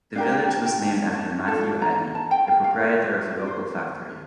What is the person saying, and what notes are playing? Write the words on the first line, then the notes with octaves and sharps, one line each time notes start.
The village was named after Matthew Addy, the proprietor of a local factory.
D4 G4 A#4 F5
G5
A5
G5
A5
A5
D4 F4 A4 A5
A#5
A5
G5
F5
F5
F4 A#4 E5
D5
C5